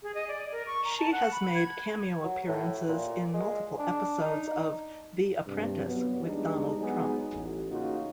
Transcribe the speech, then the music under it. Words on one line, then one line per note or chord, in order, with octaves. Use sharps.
She has made cameo appearances in multiple episodes of "The Apprentice" with Donald Trump.
G#4
D#5
D5
A#4
C#6
A#5
A5
F#5
B5
G#6
F#3
A2
A#2
G#3
D4
D#4
G2 C3
F#3 B3
E2 G3 G#3 D4 D#4
F#3 G#3 B3 D#4 G#4
A1
C#3 A#3 D#4 F4 F#4